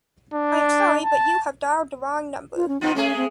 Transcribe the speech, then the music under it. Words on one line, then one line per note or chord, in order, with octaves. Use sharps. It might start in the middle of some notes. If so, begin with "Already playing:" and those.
I am sorry, but you have dialed the wrong number.
D4
A5
F4
C#4
C#3 B3 D#4 F4
G#3 A3 C#4 G#4
C4